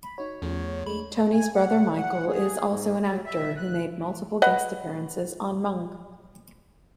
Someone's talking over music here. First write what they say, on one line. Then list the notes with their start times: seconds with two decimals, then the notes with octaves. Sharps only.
Tony's brother Michael is also an actor who made multiple guest appearances on "Monk".
0.03 B5
0.18 D#4 F#4 C#5
0.42 E2 F3 A3 C#4
0.86 G#3 A3 D4 B5
1.32 G#5
1.55 F#5
1.98 F#5
2.27 G#4
2.68 G#2
3.10 F#3
3.26 E5
3.57 F#6
4.42 B4 D#5 F#5